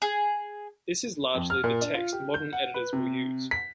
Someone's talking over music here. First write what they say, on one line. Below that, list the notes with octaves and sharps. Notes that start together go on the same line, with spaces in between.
This is largely the text modern editors will use.
G#4
F2
F6
A#2
D4
F4
G4
G6
F#5
B4
C3
B6